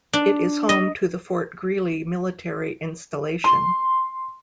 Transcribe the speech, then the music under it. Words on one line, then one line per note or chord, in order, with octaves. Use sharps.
It is home to the Fort Greely military installation.
D4
D#5
C6